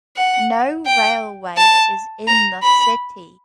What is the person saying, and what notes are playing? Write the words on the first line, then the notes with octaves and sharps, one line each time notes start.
No railway is in the city.
F#5
G5
A5
A#5
B5